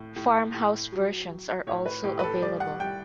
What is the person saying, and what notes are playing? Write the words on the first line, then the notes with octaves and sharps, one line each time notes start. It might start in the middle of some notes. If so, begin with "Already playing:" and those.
Farmhouse versions are also available.
Already playing: A2
A2
A2
F#3
F#3
A2 C#5
B4
A2 G4
B4
A4
G3 D5
F#5
G3 G5